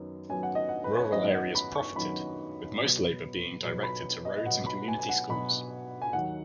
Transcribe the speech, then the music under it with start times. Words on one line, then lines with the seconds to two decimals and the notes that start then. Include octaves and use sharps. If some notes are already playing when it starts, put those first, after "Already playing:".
Rural areas profited, with most labor being directed to roads and community schools.
Already playing: F#2 D#3 F#3 B3
0.29 F#2 D#3 F#3 B3 G#5
0.43 F#5
0.55 D#5
0.69 F#5
0.84 B4
0.98 C#5
1.12 F#2 D#3 F#3 B3 D#5
1.25 D#5
1.34 F#5
1.55 B5
1.75 C#6
1.96 F#2 D#3 F#3 B3 B5
2.79 B2 F#3 B3
3.62 B2 F#3 B3
3.83 B5
4.25 D#5
4.38 D#5
4.46 B2 F#3 B3 F#5
4.66 B5
4.88 G#5
4.99 G#5
5.09 F#5
5.29 B2 F#3 B3 B5
6.02 G#5
6.13 D#2 D#3 F#3 F#5